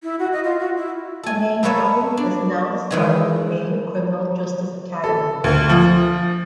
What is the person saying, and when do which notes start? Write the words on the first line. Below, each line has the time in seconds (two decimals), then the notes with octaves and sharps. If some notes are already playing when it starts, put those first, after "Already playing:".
The main building is now the site of the Maine Criminal Justice Academy.
0.03 E4
0.19 F#4
0.33 D#5
0.44 F4
0.59 F#4
0.77 E4
1.23 A4 G#5
1.63 A#3 A4 B4 C#5 E5
2.17 D4
2.91 D#3 E3 G#3
5.04 A4
5.44 D2
5.69 F3